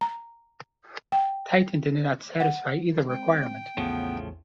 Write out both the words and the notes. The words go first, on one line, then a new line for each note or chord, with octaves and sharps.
Titan did not satisfy either requirement.
A#5
G5
F#5
G#3 C4 G5
A#1 E2 A2 C#3 F3 B3